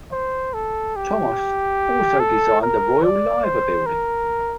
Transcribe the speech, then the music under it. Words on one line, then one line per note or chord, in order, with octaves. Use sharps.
Thomas also designed the Royal Liver Building.
C5
A4
G4
A4
A#4
D5
C5
A#4